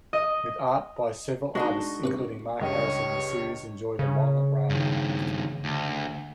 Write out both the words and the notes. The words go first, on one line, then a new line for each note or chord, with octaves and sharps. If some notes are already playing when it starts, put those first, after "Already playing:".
With art by several artists including Mark Harrison, the series enjoyed a long run.
D#5
G#3 D4 D#4 F#4
C3 B4 C#6
C#2 G2 C#5 D#5
C#3
G2 D#3
D2